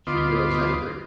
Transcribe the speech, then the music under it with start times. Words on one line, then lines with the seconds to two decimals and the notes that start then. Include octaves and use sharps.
She grows angry.
0.07 D2 B3 F4 D#5 C6 D6